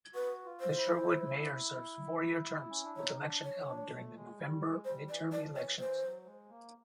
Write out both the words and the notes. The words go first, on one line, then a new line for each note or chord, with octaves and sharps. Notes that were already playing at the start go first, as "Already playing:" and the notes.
The Sherwood Mayor serves four-year terms, with election held during the November midterm elections.
F#4 B4
F4
C5
E4
C#4
D4
D#4 C#5
D4
C#5
D4
A3
G#3
G3
G#3
G3 C5
E3 D5
F3 D5
E3 C#5
E3 C5
F#3
G#3
A#3